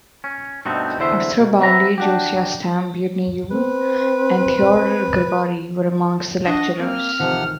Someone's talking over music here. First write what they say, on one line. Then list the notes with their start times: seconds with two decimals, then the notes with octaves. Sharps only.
Arthur Bowley, Josiah Stamp, Udny Yule, and Theodore Gregory were amongst the lecturers.
0.24 C#4
0.65 G2 B2 A3 C4 D#4 F#4
0.99 E2 D3 E4 C5 E5 C6
1.39 B2
1.60 C4 F#4 B4 E5 A#5
1.98 D4 F#4 G4
3.51 C4 B4
6.46 D4 D#5 F#5 C#6
6.78 A#3 C4 F6
7.20 A1 C3 D#3 F3 F#5